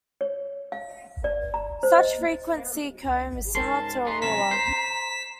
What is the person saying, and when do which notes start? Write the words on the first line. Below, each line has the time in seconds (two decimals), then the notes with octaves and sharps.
Such a frequency comb is similar to a ruler.
0.21 C#5
0.72 F5
1.24 D5
1.54 A#5
1.83 C5
1.98 D#5
3.55 G#2 C#4 A#4 A5 C6
4.07 B3 D#4 G#4 A#5 C6
4.22 F#2 C3 C#4 B6 E7
4.51 C5